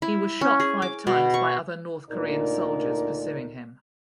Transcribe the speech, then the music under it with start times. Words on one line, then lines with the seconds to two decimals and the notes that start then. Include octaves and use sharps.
He was shot five times by other North Korean soldiers pursuing him.
0.02 E4
0.41 C#4
0.60 G#4
0.82 D6
1.07 B2
1.34 C#6
2.10 D2 A#2 D3 D#4 A#4 D5